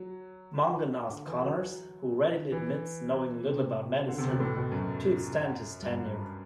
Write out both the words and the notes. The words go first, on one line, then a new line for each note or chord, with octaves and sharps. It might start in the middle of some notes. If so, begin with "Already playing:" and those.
Mongan asked "Connors, who readily admits knowing little about medicine" to extend his tenure.
Already playing: F#3
D3
E3
F#3
E3
C3
D3
C3
B2
A2
B2
F#2
G2